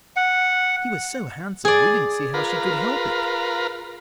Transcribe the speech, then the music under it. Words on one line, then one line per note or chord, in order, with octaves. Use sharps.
He was so handsome, we didn't see how she could help it.
F#5
G#4 D5
F4 A#4 B4